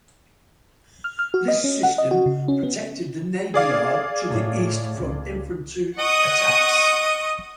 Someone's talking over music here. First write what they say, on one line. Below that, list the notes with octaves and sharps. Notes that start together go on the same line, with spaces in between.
This system protected the Navy Yard to the east from infantry attacks.
F6
F6
F#4
D#5
C#4
F#5
D#5
F#4
C#3
C#4
B3
G#4 D5 F5
A2
C#2
D#5 F#5 C#6 D#6